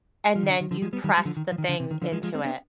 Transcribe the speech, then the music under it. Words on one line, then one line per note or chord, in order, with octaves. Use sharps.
and then you press the thing into it?
F3
D#3
D3
D#3
D3 F3
F3 G#3
G3 B3
D#3 G3
G3
D3 F3
D#3
F3
D#3
D3
C3
D#3
D3 F3
F3 G#3
F3 G#3
G#3 C4
B3 D4